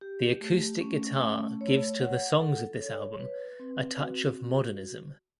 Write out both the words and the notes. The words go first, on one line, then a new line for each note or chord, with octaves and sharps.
The acoustic guitar gives to the songs of this album a touch of modernism.
G4
A3
C#4
A3
C#5
F#5
A4
C#5
B4
C4
F#4